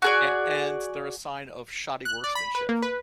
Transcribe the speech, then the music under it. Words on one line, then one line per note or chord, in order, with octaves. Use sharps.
A and they're a sign of shoddy workmanship,
F#4 G#4 D5
F#6
D5
B5
B4
A#3
B4